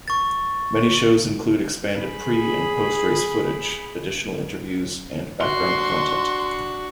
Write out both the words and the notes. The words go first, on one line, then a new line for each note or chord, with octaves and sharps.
Many shows include expanded pre- and post-race footage, additional interviews, and background content.
C#6 A6
G#4 B5
D4 F#4 C6